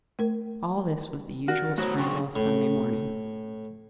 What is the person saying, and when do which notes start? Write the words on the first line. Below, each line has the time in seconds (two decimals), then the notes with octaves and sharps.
All this was the usual scramble of Sunday morning.
0.19 A3 A#4
1.48 F#4 A#4 D5 F6
1.78 A3 F#4 C5 C#5 A#5 B5 D#6
1.98 F#3 D4 G#4 G5 C6 C#6
2.36 A2